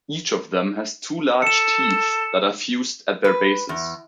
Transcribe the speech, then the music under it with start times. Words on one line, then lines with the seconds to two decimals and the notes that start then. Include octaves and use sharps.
Each of them has two large teeth that are fused at their bases.
1.42 A4 C#7 E7
3.24 B4
3.69 E2